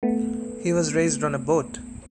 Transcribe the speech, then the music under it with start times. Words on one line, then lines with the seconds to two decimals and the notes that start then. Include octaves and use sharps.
He was raised on a boat.
0.03 A3 B3